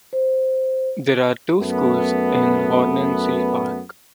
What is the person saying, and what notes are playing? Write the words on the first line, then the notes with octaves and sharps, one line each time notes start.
There are two schools in Horningsea Park.
C5
F#2 A3 B3